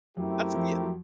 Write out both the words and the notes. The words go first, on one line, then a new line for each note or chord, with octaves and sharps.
that's yeah.
F#2 F#3 A3 C4 E4 G4 A#4
F2 F3
F#3